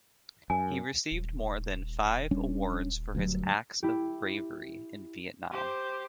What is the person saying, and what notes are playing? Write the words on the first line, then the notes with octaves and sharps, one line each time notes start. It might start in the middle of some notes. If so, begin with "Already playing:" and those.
He received more than five awards for his acts of bravery in Vietnam.
F#2 G#5
D#1
G3 C#4 D4
D2 G2 F#3
E4 G4
G4 C5